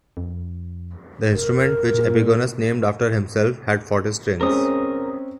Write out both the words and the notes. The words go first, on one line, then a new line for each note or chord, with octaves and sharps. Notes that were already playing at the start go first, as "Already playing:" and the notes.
The instrument, which Epigonus named after himself, had forty strings.
F2
F1 A#4
A#2
G#3 C4 C#4 A#4 D#6